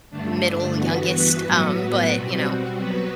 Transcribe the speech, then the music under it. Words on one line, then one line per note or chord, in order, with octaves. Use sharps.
middle youngest, um, but, you know,
G2 D3 A3 D4
G2 E3 B3 F#4 B4
A2 F#3 B3 F#4 B4
B2 G3 C4 F#4
F#3 B3 F#4 B4